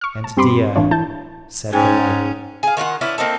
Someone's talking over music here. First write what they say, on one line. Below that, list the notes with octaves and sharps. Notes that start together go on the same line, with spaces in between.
And Dea! said the light.
C#6 F6
A5
G2 C4 G4 B5 C6 D6
A1 E3 D4 F4 C#5
E3 E4 A5 G6
G#2 C#4 G#4 G5 G#5
G#4 F5
D#3 F4 B4 F#5
C#4 D4 E4 B4
A#3 C4 D#4 A4